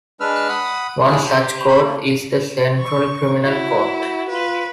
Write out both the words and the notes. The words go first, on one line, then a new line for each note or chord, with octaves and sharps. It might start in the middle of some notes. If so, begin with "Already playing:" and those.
One such court is the Central Criminal Court.
G#3 D4 B4 E6 F6
F#5 B5 D#6
D#2 F#3 D4 E4 G#4
G4 C5
C#3 C5 C#5 B5 G6
A3 A#3
C#6
E4 F#4
F4 B4